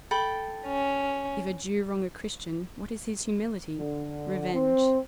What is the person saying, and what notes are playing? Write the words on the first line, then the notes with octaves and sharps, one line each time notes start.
If a Jew wrong a Christian, what is his humility?--Revenge.
A4 G5 B5
C#4
D3
C4